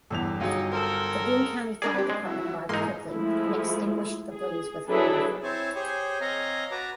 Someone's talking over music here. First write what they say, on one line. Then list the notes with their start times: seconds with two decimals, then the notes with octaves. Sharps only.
The Boone County Fire Department arrived quickly and extinguished the blaze with great effort.
0.10 G1 E2 A4 F7
0.40 G1 F#3 D#4 F4 G#4
0.72 A4 A#4 C5
1.21 G#4
1.82 D4 G#4 A#4 D5
1.94 B3 C4 D4 G4
2.10 G#3
2.25 F#3 E4
2.69 G#2 E3 G#3 A#3 D#4 A#4 C6
3.08 F3 G#3 A3 E4
4.32 G#4
4.89 F#3 D4 E4 G#4 A4 B4
5.43 C4 E4 C5 C#5 G#5 A5
5.75 G4 G#4 C5 C#5 G#5
6.21 C4 C#5 D#5 F5 G#5 A#5
6.71 F#4 B4 A5 A#5 D6